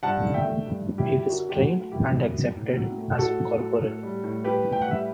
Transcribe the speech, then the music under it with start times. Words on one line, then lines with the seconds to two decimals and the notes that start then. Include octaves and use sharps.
He was trained and accepted as a corporal.
0.03 G2 F#5 A5
0.24 D3
0.34 E5 G5
0.44 A3
0.66 G2
0.87 G2
0.98 E4 G4
1.08 D3
1.19 G4
1.29 F#2 F#4
1.49 F#3 G4
1.60 F#4
1.72 A3
1.92 F#2 E4 G4
2.13 F#2
2.34 F#3
2.56 A2
2.76 F#3
2.98 A3
3.18 A2 F#4 A4
3.40 A2
3.60 F#3
3.82 A2
4.03 G3
4.24 A2
4.44 G3 G4 B4
4.65 A2
4.72 G5
4.82 F#5
4.87 G3 E5